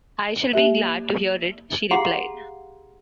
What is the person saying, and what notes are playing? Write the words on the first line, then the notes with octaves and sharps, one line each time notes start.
"I shall be glad to hear it," she replied.
A#3 G4 E5
G4 G#4 F5 F#5 A#5 C6